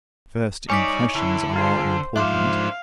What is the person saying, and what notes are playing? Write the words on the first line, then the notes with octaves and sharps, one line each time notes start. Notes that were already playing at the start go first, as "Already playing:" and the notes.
First impressions are important.
G3 D#4 C#5 D5 G#5 D6 B6
D3 E4
F4 G#4 C5
G#2 F3 D4 C5 E5 F5 C6 D6